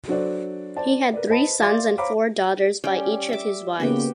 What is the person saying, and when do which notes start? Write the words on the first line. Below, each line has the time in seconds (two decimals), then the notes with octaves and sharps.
He had three sons and four daughters by each of his wives.
0.08 F#3 D4 F#4 A4 C5 D5
0.76 C5 D5 A5
1.13 A#4 B4 D5
1.28 B4 C5 D#5 A5 B5
1.60 D5 E5 F5 C6 D6 A6
1.98 C5 C#5 F5 A#5 B5 D6
2.84 G3 C#4 G5
3.29 E5 D6
3.80 C#3 A#3 B3 F#4 G4 G5